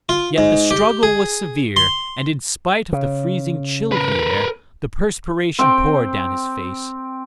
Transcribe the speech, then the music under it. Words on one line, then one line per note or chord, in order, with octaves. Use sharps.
Yet the struggle was severe, and in spite of the freezing chill of the air, the perspiration poured down his face.
F4
G#2
G4
G#4
C6
C#3
A#4 B4
C4 G5